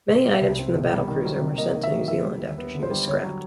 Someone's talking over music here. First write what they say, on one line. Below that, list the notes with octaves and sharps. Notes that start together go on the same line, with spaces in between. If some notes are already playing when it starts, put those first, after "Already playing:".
Many items from the battlecruiser were sent to New Zealand after she was scrapped.
B2
G3
E5
C2
C4
B2
G3
D#3
F#3
C3
A#3 D#5
D#3
E5
F#3
D3 E5
G3
D#2
B3
D3
C5
G3
D3 C#5
F#3